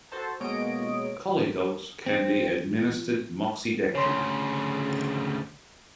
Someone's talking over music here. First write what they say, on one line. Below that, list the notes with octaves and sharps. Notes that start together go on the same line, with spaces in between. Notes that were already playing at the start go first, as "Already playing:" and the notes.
Collie dogs can be administered moxidectin.
F#4 A4 C5 A5
B2 G#3 A#3 C#5 D#5 D7
C4
D2 C#3 C#5 C6